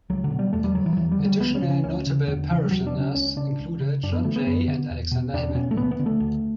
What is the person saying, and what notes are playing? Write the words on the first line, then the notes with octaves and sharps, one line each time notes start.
Additional notable parishioners included John Jay and Alexander Hamilton.
C#2 F#3
D3
B2
G3
E2 A3
G3
D3 F#3
E3
F#3
E2 E3
G3
D3
G3
D2 B3
C#4
C#3
C#4
D2 C#4
C#3
E2 D3
C#3 E3
G3
E2 F#3
D4
C#3
C#4
C#2 C#4
C#3 D4
C#2
C#3
F#2 D4
B3
D3 A3
B3
F#2 B3
D3
E2
B2
E2 D4
B2 C#4
A3
D2 B3
B3
D3
A3
D2